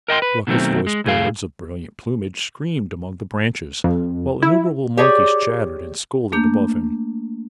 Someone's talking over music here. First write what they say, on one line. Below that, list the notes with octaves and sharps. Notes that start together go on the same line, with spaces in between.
Raucous-voiced birds of brilliant plumage screamed among the branches while innumerable monkeys chattered and scolded above him.
A#4 D#5 G5 C6
B4
B2 D#3 F#3 A3 C4
G#3
C2 A2 G#4 F5
F2
E4
G4 G#4 C#5 D5
A3 A#3 D4 G6